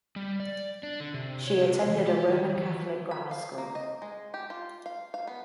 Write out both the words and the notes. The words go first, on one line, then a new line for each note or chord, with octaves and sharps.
She attended a Roman Catholic grammar school.
G3
D5
D4
D3
C3
C#5
C3
E3
G4
D#3
E3
B5
F5
A#3
D#5
G#3
G4
F4
F5
F5
B3